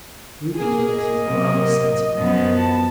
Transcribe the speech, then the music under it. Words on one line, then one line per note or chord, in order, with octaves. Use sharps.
Ruby Gillis is rather sentimental.
A#3 G#4
D#5
C3 F#3 A#3
F#2 F3 F#3 B3
A5